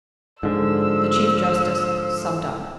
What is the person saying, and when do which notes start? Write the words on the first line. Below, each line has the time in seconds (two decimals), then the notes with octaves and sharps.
The chief-justice summed up.
0.43 G#2 D3 F3 E6